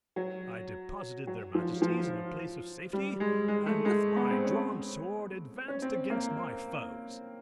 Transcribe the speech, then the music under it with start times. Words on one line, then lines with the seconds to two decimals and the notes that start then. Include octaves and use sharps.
I deposited their Majesties in a place of safety, and with my drawn sword advanced against my foes.
0.16 F#3
1.27 F#3
1.55 F3
1.82 F3
2.93 G3
3.20 G#3
3.48 G#3
3.66 A3
3.85 G#3
4.17 B3
4.31 C4
4.45 C#4
5.68 C#4
5.82 C4
6.10 A#3